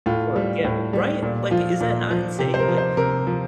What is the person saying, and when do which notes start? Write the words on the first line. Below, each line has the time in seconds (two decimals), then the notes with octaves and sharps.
For a gift right, like, is that not insane? Like,
0.06 A2 F4
0.36 G3
0.64 A2
0.93 G3
1.22 A#2
1.51 F3 F4
1.80 A#2
2.10 F3
2.39 C3 G4
2.54 C5
2.59 A#4
2.68 F3
2.78 C5
2.97 C3 A#4
3.27 F3